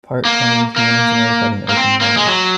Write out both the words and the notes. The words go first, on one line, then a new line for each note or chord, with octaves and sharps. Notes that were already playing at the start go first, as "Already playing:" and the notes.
Park claimed he and his wife had an open marriage.
A#3
A#3
A#3
C4
A#3
G#3
F#3